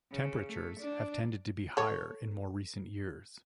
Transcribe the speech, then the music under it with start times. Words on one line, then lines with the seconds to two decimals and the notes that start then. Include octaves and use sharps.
Temperatures have tended to be higher in more recent years.
0.12 C#3
0.49 A3
0.80 D4
1.77 A4 C#5